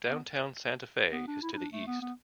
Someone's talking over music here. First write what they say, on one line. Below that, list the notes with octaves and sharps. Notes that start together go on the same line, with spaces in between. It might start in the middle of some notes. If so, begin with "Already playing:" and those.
Downtown Santa Fe is to the east.
B3
B3
D4
E4
E4
D4
A3
B3
B3